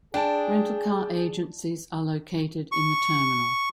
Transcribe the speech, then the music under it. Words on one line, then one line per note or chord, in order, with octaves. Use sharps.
Rental car agencies are located in the terminal.
D4 G#4 G5 A5
C#6